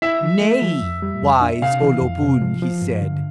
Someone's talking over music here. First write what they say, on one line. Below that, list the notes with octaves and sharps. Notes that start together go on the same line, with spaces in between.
"Nay, wise O-lo-pun," he said.
E4 E5
F3
A3
F3
F2
G3
F2
D4
C3 F5
E3
F2
C3
F3
F3
G2
D3